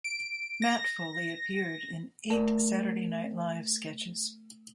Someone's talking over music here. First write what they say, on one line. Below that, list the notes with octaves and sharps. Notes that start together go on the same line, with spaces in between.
Matt Foley appeared in eight "Saturday Night Live" sketches.
D7
A#6
A3 A#4 D5